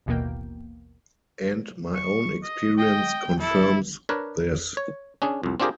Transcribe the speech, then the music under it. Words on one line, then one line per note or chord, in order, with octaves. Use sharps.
And my own experience confirms this.
A1 D#2 B2 E3 A#3 G5
C#6
D#5
D#5 G5
E4 A4
D4 A#4 B4 C#5
C#5
C#4 D4 G#4
C2 F2
C4 D4 F4 G4 G#4 A#4